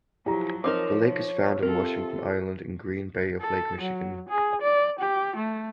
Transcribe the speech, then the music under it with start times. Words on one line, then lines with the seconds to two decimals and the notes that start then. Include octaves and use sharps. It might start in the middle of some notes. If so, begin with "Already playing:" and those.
The lake is found on Washington Island in Green Bay of Lake Michigan.
0.26 F3 F#3 E4 G4 A#5
0.64 F3 C4 D#4 A#4 C#5 D6
1.63 C3 C4 F4 A4 A#4
3.41 A4
3.81 F#3
4.29 G#4
4.62 D5
4.99 G4
5.36 A3